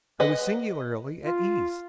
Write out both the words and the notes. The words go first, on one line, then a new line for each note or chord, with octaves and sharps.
I was singularly at ease.
B4 D#5 F#5
F4